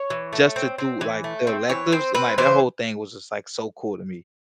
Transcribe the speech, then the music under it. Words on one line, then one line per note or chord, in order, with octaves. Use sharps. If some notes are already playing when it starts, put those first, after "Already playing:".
just to do, like, the electives. And, like, that whole thing was just, like, so cool to me.
Already playing: C#5
E3
A3
C4
C4
E3
A3
C4
E3 C#5
C4 C5
C4 B4
E3 C5